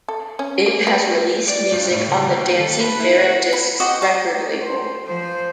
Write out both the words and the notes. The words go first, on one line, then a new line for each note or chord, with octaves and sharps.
It has released music on the Dancing Ferret Discs record label.
A4
C#4
A#3
B3
D#3
D5
G2
A2
C#2
D#2
A4
B4
E4
F#4
B5
F#4 G4 D#5
A#5
C5
F3 C5